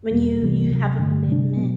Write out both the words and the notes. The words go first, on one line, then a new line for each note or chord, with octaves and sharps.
when you you have a commitment,
E2 B2 G3 B3
C2 C3 E3 G3 B3
D2 C3 F#3
G2 D3 A3
C3 G3 D4
B2 F#3 B3